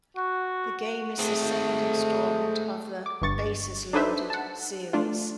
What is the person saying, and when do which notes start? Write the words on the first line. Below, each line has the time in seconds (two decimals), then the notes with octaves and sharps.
The game is the second installment of the "Bases Loaded" series.
0.17 F#4
1.19 G#3 A3 C4
3.06 D6
3.22 G1 G2 C#6 A6
3.93 D4 D#4 A4 B4 C5 E5
4.30 F#5 A5
4.93 A3 D4 F4